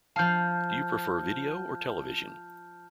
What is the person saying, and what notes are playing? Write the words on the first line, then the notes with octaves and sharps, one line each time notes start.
Do you prefer video or television?
F3 F5 A5 F6 G6